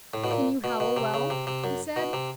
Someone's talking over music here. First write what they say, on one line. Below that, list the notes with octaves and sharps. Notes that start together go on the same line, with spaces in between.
'Can you howl well?' he said.
A2
B2
A#2
B2
B2
C3
C#3
C3
C3
F#2
B2
C3